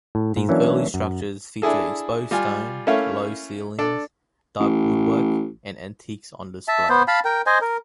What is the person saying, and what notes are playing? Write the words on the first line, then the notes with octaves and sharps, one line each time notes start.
These early structures feature exposed stone, low ceilings, dark woodwork, and antiques on display.
A2
G#2
E3 F#3 A#3 C#4 D4
F#2
D4 E4 G#4 A4
G3 F4 G#5
A3 A#3 C#4 E4 C#5 F5
D4 A4 D5
A1
E5 A5
B3 C5
F5 A5 B5
A#4 G5
C5 D#5 G#5
A#4